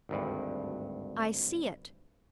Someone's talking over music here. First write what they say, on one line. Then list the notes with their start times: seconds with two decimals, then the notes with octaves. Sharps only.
I see it!
0.09 G#1 D2 G2